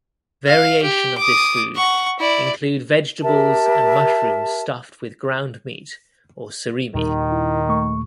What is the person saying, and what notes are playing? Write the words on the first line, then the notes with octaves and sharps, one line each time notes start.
Variation of this food include vegetables and mushrooms stuffed with ground meat or surimi.
F5
G4
D6 D#6
F#5 C#6
E4 D5
G4 A#4 E5 A5
D#2 A#2 D#3 G3
E4
A3 C#6